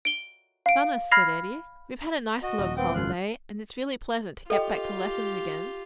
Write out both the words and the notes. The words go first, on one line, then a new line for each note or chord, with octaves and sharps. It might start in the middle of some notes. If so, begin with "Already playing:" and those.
"Mamma," said Eddie, "we've had a nice long holiday, and it's really pleasant to get back to lessons again."
D7 G7
F5 D7
B5 F6 G#6 A#6 C7 F7
F#4 D#5
D#1
B3 C4 G5
G#1 C#2 F#2 F4 F#6
F4 G4 A4 D#5 G5